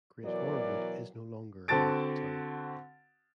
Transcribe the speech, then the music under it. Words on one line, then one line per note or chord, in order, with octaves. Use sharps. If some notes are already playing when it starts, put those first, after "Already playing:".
Great Horwood is no longer a market town.
B2 E3 F#3 A#4 D5
D3 C4 F#4 A5 A6 D7